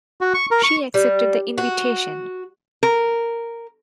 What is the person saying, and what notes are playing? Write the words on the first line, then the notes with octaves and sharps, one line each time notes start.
She accepted the invitation.
F#4
C#6
A#4
C#6
G3
F#4
A#4